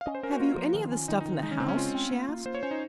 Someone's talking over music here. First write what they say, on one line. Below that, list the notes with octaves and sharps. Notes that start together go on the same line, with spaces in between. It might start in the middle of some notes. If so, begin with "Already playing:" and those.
"Have you any of the stuff in the house?" she asked.
F5
C#4 D#5
C5
C#4 A#4
F#4
A#3 F4
F3
D#3
C#4
D#3 D#4
D#4
D#3
G#3 D#4
C#4
C#3 C4
C#4
G#3 F4
C4
A#3
A#3
A#3 C5
C#5
C#4 C5
D#4